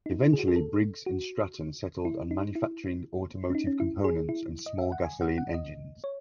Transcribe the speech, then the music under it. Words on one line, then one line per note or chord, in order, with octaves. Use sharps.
Eventually Briggs and Stratton settled on manufacturing automotive components and small gasoline engines.
D#4
E4
G#4
F#4
G#4
A4
F#4
E4
D#4
E4
C#4
D#4
C#4
E4
G#4
E4
D#5
E5
F#5
G#5
F#5
F#5
D#5
C#5